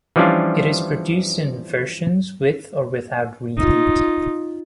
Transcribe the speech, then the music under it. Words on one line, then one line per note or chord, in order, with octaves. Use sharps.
It is produced in versions with or without reheat.
E3 F3 G3 C#4 D4 F4
D#4 F4